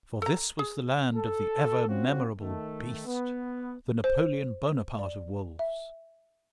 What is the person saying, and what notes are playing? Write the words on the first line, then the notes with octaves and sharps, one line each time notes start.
For this was the land of the ever-memorable BEAST, the Napoleon Bonaparte of wolves.
A4 A#5
G#4
A4
C4 C#4 F4 F#4
D#3 A3
B3
C5
D5
E5